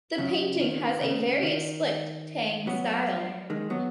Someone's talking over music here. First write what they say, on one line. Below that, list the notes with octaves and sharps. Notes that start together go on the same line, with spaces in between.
The painting has a very explicit Tang style.
C#3 F#3
D#3
C#3
D#3
F#3 B3
D#3 G#3
F#3 B3